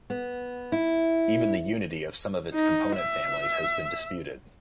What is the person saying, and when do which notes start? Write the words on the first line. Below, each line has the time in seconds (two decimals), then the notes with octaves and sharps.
Even the unity of some of its component families has been disputed.
0.10 B3
0.72 E4
2.53 D#4
2.96 E5